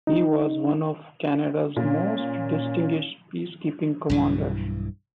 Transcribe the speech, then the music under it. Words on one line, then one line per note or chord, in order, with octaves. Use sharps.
He was one of Canada's most distinguished peacekeeping commanders.
D#4
A#2 C#4
B1 G2 E3